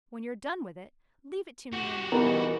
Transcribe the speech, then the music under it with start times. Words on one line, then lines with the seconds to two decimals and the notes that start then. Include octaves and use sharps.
When you're done with it, leave it to me in your will.
1.73 F#4 G4
2.12 E2 E3 G3 B3 A#4 B4 D#5